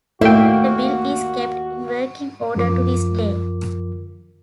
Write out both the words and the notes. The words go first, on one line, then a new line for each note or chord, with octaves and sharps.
The mill is kept in working order to this day.
D#2 A2 A3 A#3 F#4 E5 G5
F#2 F3 F4 A#4 D6